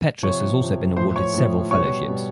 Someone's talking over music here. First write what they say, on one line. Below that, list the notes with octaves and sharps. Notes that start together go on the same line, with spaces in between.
Petrus has also been awarded several fellowships.
C3 F3 C#5 C#6
C3 F3
A2 F3 C5 C6
C#5 C#6
A2 F3
B2 G3 C#5 C#6
B2 G3